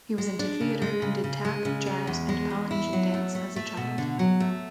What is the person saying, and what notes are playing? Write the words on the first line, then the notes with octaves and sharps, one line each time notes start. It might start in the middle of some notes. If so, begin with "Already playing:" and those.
He was into theatre and did tap, jazz and Polynesian dance as a child.
G#3
D4
C#3
G#3
C#3
C#3
G#3
C#3
G#3
E2
G#3
E2
E4
F#3
A3
A3
A3
B2
D3
F#3
A3